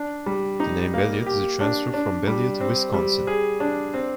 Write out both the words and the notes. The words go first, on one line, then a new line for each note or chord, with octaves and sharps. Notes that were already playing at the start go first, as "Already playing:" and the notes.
The name Beloit is a transfer from Beloit, Wisconsin.
Already playing: D4
G3
D#4
A#3
G4
D4
D4
G3
C4
G3
G#4
D4
C4